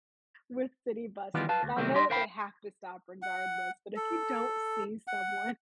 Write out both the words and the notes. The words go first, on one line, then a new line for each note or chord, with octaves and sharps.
with city buses, and I know that they have to stop regardless, but, if you don't see someone
D#3 E3 G3 B3 F4
B4 F5 A5
D2
C3 D#3 F#3 G3 A3 C4
G3 G4 D#5 C6
A#4 C5 F5 G5 B5
F#5
A4
F#5